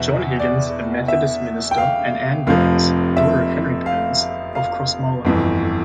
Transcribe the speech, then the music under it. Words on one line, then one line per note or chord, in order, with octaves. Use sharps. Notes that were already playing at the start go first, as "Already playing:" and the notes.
John Higgins, a Methodist minister, and Anne Bournes, daughter of Henry Bournes of Crossmolina.
Already playing: E2 B2 E5
D5
E5
G5
F5
F1 F2 C3 F3 F5
E5
F5
F5
G1 F2 E3